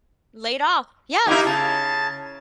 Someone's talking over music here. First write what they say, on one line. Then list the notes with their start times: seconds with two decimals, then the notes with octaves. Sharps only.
Laid off. Yes.
1.27 A#3 D#4 E4 G4
1.46 C#3 A5